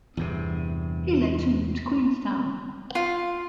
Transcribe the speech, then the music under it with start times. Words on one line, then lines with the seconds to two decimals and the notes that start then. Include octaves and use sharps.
He later moved to Queenstown.
0.17 E2 G2 C3
2.95 F4